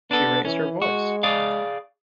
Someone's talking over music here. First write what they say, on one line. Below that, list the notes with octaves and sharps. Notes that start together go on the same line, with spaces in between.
She raised her voice.
B3 D4 A4
E3 C#4
G#3 F#4
G#4 D5 F5